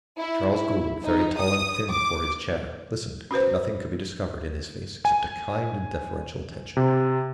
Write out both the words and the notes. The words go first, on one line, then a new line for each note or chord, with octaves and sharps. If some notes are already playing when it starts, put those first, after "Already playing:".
Charles Gould, very tall and thin before his chair, listened, but nothing could be discovered in his face except a kind and deferential attention.
E4
E4
D#4
D#6
D6
C#4 F#4 B4 C5
G#5
C3